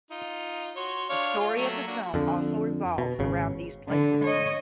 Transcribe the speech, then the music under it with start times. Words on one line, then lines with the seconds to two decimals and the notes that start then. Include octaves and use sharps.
The story of the film also revolves around these places.
0.11 D#4 F4
0.76 F#4 C#5 C6
1.09 D4 C#5 F5
1.39 F4
1.56 F#3 A3 A#3
1.87 A#3 D4 F#4
2.14 F2 D3
2.98 B2
3.19 G#1 C#3
3.89 D3
4.24 C#5 D#5